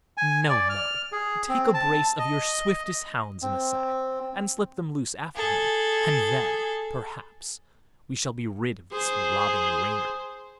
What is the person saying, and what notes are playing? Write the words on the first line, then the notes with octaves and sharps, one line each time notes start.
No, no; take a brace of your swiftest hounds in a sack, and slip them loose after him; and then, perhaps, we shall be rid of this robbing Reynard.'
G#5
D5
F6
G#4
C4
A5
D#5
C4
G#4 A4
G#4 C5